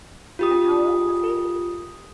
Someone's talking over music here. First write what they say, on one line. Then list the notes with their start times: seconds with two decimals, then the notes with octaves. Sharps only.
And how old was he?
0.39 F4 G4 D#6